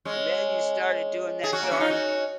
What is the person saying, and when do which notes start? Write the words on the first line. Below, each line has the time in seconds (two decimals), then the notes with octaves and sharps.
"And then, you started doing that darn
0.05 G#3 C#4
1.43 G#4
1.53 C#4 F#4
1.63 A#3
1.71 C#4
1.80 D#4
1.90 C#4 F#4